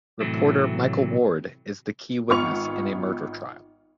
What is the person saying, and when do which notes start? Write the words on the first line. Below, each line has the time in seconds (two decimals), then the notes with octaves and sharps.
Reporter Michael Ward is the key witness in a murder trial.
0.20 A2 C3 E3 F#3 A3
2.30 G#1 B3 F4 C#6 F6 F7